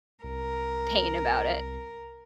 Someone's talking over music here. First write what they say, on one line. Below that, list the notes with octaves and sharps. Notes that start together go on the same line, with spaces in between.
pain about it.
C2 A#4